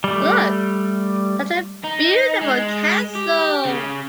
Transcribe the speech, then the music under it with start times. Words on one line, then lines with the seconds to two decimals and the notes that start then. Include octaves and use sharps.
Look, such a beautiful castle!
0.04 G3 A3
1.84 D#4
2.41 G#3
3.15 G4
3.65 C#3